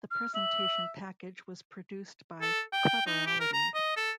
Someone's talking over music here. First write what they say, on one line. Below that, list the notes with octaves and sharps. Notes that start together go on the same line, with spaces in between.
The presentation package was produced by Cleverality.
F6
E5 F#7
A4
G5
D#4
G4
A#4
A#5
D#5
A4